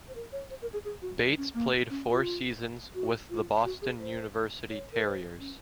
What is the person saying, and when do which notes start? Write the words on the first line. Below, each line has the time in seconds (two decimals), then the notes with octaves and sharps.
Bates played four seasons with the Boston University Terriers.
0.08 C5
0.15 A#4
0.32 C#5
0.50 C5
0.62 A#4
0.73 G#4
0.85 G#4
1.02 F#4
1.37 C#4
1.54 A#3
1.90 C#4
2.08 F4
2.95 F#4
3.30 F4
3.65 F#4
3.82 G#4
4.00 C5
4.69 C#5
4.92 A#4
5.05 C5
5.39 C#4